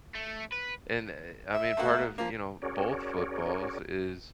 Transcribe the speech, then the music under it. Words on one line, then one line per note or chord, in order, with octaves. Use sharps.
And, eh I mean, part of, you know, both footballs, is
A3
B4
E5
A3 A#3 F#4
F3 A#3
C#4 F#4 G#4 A#4 C#5 D5